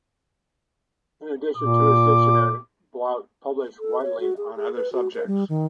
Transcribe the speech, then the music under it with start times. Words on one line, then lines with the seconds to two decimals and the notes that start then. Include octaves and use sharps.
In addition to his dictionary, Blount published widely on other subjects.
1.57 A#2 D6
3.79 A4
4.02 C#5
4.20 F#4
4.37 G#4
4.56 G#4
4.75 B4
4.93 F#4
5.15 A#4
5.27 G3
5.49 D#3